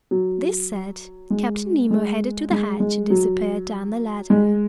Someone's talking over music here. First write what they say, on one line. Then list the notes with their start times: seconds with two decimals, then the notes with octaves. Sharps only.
This said, Captain Nemo headed to the hatch and disappeared down the ladder.
0.11 F#3
1.30 G#3
1.91 G#3
2.51 G#3
2.80 G#3
3.10 F#3
4.30 G#3